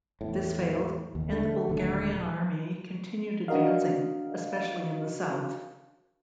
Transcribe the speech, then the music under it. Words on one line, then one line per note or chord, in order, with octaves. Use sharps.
This failed and the Bulgarian army continued advancing, especially in the south.
E2 A2
D#2
D3 A3
D#1 D3 A3
D4 F#4 A#4 D#5 F5